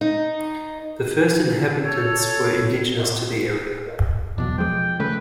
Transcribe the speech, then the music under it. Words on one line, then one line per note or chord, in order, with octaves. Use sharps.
The first inhabitants were indigenous to the area.
D#4
A4 C#5
E2 B2 F#3 D4
F3 G#3 G5
C#3 A3 B4